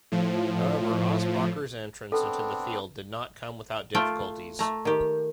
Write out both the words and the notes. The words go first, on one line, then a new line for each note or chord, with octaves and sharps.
However, Aschbacher's entrance into the field did not come without difficulties.
A2 F3
B3 C4 D4 A4
A3 F4 G5
A3 A#5
D#3 G4